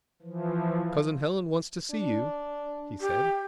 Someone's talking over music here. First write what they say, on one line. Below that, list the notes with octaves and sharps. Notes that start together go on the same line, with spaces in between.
"Cousin Helen wants to see you," he said.
E3 F3
D4
G4